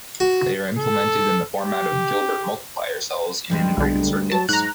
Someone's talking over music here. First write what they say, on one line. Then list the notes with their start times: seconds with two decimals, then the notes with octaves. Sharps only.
They are implemented in the format of "Gilbert multiplier cells" in integrated circuits.
0.20 F#4
0.78 A4
1.58 G4
3.50 D2 G2 G3 G#3
3.78 B1 D3
4.31 F#3 A5
4.49 G#2 F#3 A#5 F#6